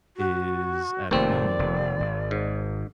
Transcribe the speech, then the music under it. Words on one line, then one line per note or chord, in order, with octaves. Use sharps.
is at home,
F#4
F1 D#2 A3 C4 D5
F1
G#1
G#2